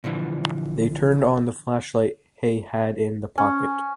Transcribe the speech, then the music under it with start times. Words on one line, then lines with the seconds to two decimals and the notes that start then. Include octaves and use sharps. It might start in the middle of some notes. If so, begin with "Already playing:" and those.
They turned on the flashlight hey had in the pocket.
0.04 A#2 D3 E3 F3
3.38 C#4